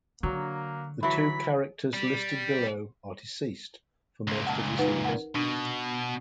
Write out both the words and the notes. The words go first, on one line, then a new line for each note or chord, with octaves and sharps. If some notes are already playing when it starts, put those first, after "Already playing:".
The two characters listed below are deceased for most of the series.
D3 F#3 A#3
E3 F#3 E4 B5
G3
C#2 A#2
F#5 A5
D#4 B4 F#5
A#4 F#5
B2 D4